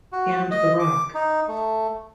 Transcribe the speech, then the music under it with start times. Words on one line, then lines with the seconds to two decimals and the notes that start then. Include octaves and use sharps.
And the rock.
0.12 F#4
0.51 D#5
0.79 D6
1.14 D#4
1.48 A3